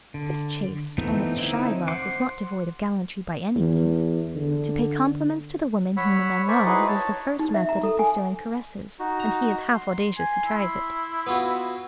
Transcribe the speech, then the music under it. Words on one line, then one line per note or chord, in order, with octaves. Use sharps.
This chaste, almost shy love was not devoid of gallantry, by any means. To pay compliments to the woman whom a man loves is the first method of bestowing caresses, and he is half audacious who tries it.
D3
E3 A3 B3 C4 D#4
D3 C4 D#4 E4
C5 F#5 C6 D6
E2
D3
C#5 F#5 B5 E6
A#4 C5 D5 E5 G#5 C#6
D#4 E4 F#4 G#4 B4 D#5
C#5 A5
D#4
E5
A#5
A4
G#5
D#4 F#4
A#5
C6
G#5
E4
B3 F4 F#4